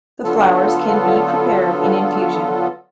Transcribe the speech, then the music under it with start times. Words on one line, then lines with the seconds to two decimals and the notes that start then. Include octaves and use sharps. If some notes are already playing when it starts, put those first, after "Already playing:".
The flowers can be prepared in infusion.
0.24 D3 F#3 B3 F4 A4